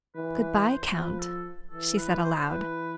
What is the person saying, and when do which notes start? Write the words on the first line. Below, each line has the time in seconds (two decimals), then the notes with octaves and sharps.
"Good-bye, Count," she said aloud.
0.15 E3 B4
0.41 B4
0.62 B4
0.67 C5
0.93 F3 B4
1.19 A4
1.71 E3 A4
1.97 B4
2.23 C5
2.49 E3 B4